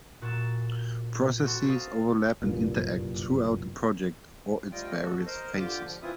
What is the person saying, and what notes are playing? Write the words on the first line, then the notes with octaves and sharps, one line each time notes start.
Processes overlap and interact throughout a project or its various phases.
A#2 F#4 A6 E7
C4 F#4 A4
A4 D#5 F5
F#1 C2 G2 A#2
D2 G3 F4 D#5 G5
F#4 A4
A#4 C5 D#5
D3 F4 G4 D6 G6
F3
E3 C4 E4 F4 E5 D#6